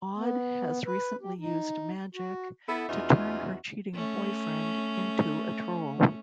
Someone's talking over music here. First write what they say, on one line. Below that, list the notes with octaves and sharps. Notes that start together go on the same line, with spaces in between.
Aud has recently used magic to turn her cheating boyfriend into a troll.
B3
B4
G4
D#4
F#4
B3 E4 A4
E2 C#4 D#4 F4 F#4 E5
A3 C#4